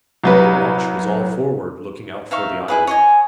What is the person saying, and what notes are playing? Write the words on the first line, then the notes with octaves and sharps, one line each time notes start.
The watch was all forward looking out for the island.
C2 F#3 B4
D#4 E5 F5 C#6
E4 G#4 B4
C#5 D#5 G#5